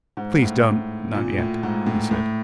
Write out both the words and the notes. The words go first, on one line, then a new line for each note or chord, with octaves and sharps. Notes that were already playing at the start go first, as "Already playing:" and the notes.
"Please don't--not yet," he said.
G#2
A2
A#2
A2
G#2
A2
A2